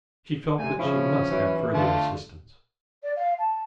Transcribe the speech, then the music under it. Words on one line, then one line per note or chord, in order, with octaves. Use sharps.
She felt that she must have further assistance.
C3 A3 G#5
C#3 F3 C#4 E4
E3 F#3 E4
D3 A3 F4 A5
D5
F5
A5